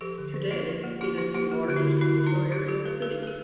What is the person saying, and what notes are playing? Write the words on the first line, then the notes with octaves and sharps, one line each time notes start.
Today, it is the largest employer in the city.
F3 G4 A4
D3
F3
A#3 F4 G4
F3
A#3
A#3 F4 G4
F3 F4 G4
A#3 F4 G4
A#3
D3 G4
E4 F#4
D3
D3 E4 F#4
D3
D#4 F4
F#3
F#3 F4 G4
F#3 G4 A4
A3 A4 B4
A3 A4 B4
A3 B4
G#4 A#4